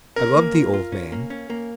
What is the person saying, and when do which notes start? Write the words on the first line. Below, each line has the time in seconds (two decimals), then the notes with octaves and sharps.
I loved the old man.
0.16 C#4 A#4
0.35 A#3
0.55 F4
0.74 F4
0.92 C#4
1.12 A#3
1.30 C#4
1.50 A#3